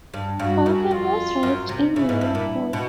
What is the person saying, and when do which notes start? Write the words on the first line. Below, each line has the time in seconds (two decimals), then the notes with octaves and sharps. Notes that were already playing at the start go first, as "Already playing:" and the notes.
Parker was raised in Liverpool.
0.14 G2
0.40 G2 F#4
0.66 F#2
0.91 F2 F4
1.43 F#2
1.69 C3
1.95 C#3 E4
2.09 G#2
2.21 G2
2.35 A#2
2.73 B2